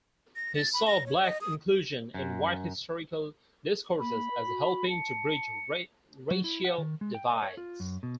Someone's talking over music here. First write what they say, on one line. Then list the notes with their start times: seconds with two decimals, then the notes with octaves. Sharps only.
He saw black inclusion in white historical discourses as helping to bridge racial divides.
0.36 A#6
0.55 A6
0.74 B5
0.87 A#6
1.06 C#5
1.24 D#5
1.41 D#6
2.14 F#2
4.00 A#3 B5
4.31 B4
4.46 F#4
4.89 A5 C#7
6.31 F#3
6.44 E4
6.65 F#5
6.78 D#3
7.01 G#3
7.15 G5
7.30 D#5
7.43 C#5
7.57 F4
7.80 F#2
8.03 B2